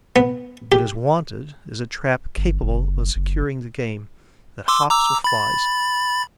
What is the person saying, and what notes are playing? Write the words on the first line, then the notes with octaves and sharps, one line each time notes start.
What is wanted is a trap capable of securing the game that hops or flies.
B3
G4
G1
F#1
F#1
C6 D6 E6
A#5 D6 E6
B5 A6